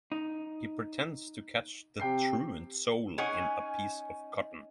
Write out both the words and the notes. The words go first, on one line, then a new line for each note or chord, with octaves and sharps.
He pretends to catch the truant soul in a piece of cotton.
D#4
C3 G5 C7
C#4 D#4 F#5 G#5